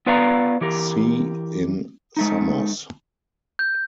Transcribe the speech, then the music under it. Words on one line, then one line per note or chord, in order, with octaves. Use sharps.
C in summers.
B3 F4 B4 D5 F5 A#5
E3 G4 A#4
G#3 A3 D#4
G6